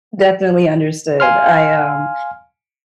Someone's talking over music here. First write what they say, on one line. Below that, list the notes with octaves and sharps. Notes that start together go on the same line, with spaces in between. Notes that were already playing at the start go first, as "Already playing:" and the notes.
Definitely understood. I, um,
F5 G#5 C6 F6